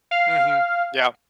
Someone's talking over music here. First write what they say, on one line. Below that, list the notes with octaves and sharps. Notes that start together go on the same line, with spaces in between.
Mhm, yeah.
F5